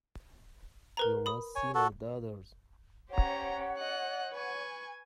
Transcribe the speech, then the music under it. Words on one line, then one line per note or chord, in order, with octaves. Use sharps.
You must see my daughters.
A#4 B4 A#5
B5 D#6
C#5 G#5
F#4 A4
C#4 G4 C5 C#5 F#5 A#5
D#5 F#6
B4 G#5 C#6